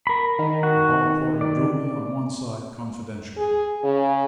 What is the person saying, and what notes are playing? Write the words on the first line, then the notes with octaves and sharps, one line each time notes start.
The hall porter drew me on one side confidentially.
A#4 B5
D#3
F#4 F#5
D5
G#4
C#3